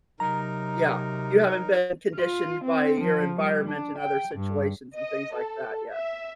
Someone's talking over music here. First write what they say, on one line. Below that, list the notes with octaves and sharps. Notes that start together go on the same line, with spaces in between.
Yeah, you haven't been conditioned by your environment and other situations and things like that, yeah.
C3 F#3 D#4 A#4 A#5
F4
C4
F3
G3
D4
G5
G2
D#5
A4
E5